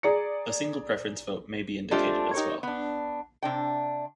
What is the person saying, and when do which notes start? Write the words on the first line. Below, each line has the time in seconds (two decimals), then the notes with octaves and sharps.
A single preference vote may be indicated as well.
0.03 G#4 D5 A#5 C#7
1.91 G#3 A3 C4 D4 F4 G4
2.34 D#4 G4 A#4 C#5
2.63 B3 D4
3.43 C3 D4 G5